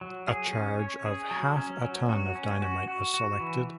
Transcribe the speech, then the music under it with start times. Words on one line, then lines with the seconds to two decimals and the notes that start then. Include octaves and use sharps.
A charge of half a ton of dynamite was selected.
0.01 F#3
0.27 G#4
0.53 C#4
0.79 C#5
1.06 G#4
1.31 F#3
1.57 C#4
1.84 F#3
2.09 F#4
2.35 C#4
2.62 F#4
2.88 F#4
3.14 F#4
3.40 E3